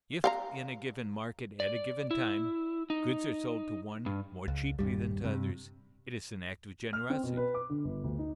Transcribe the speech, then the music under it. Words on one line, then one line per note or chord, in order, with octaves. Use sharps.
If, in a given market at a given time, goods are sold to one more cheaply than to others, it is an act of generosity.
F5 G5 A#5
D5
E4
D#4
G2
C#2
D#1 A#1 G2 G3
G2 C3
F6
C4
B2
B4
D6
D3
G1
D2
D#4